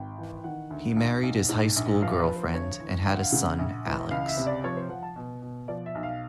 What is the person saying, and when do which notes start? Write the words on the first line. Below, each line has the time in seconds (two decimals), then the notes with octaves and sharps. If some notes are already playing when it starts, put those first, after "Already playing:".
He married his high school girlfriend and had a son Alex.
Already playing: G#1 G5
0.18 E3
0.44 D#3 F#5
0.70 D2
0.96 B1
1.23 B1
1.49 G#2
1.76 A#1
2.02 F3 F5
2.19 B4
2.28 F3
2.36 C5
2.54 D2 C#5
2.80 E3
3.06 D2 G5
3.14 F#5
3.23 F5
3.31 C#3 F#5
3.59 A#1
3.86 E3
4.11 C#2 F5
4.28 E5
4.37 C3
4.47 D5
4.64 F3 C#5
4.77 C5
4.89 F3 F#5
5.03 A5
5.16 B2
5.42 B2
5.68 F3 D5
5.86 E5
5.95 B1
6.03 F5